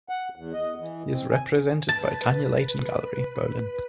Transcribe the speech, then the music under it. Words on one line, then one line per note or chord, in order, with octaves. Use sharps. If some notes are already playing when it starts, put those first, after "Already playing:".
He is represented by Tanya Leighton Gallery, Berlin.
F#5
E2
D#5
E3
C4
G#5
B4 A5